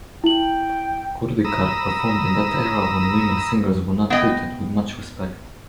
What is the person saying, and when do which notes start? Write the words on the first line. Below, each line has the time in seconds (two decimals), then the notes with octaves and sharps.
Kurdikar performed in that era when women singers were not treated with much respect.
0.24 E4 G5 F#7
1.45 A#5 B5 D#6 E6
4.10 B3 D#5 G5